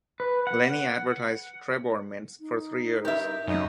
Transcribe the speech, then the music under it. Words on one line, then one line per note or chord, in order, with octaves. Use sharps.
Lenny advertised Trebor mints for three years.
B4
F#5
D#4
G2 G4 A#4 E5
F#2 C#3 D#4